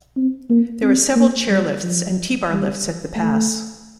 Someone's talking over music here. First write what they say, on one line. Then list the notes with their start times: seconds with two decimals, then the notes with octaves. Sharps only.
There are several chairlifts and T-bar lifts at the pass.
0.17 C4
0.50 A#3
0.83 C4
1.16 A#3
1.50 G3
1.83 F3
2.50 G3
3.16 A3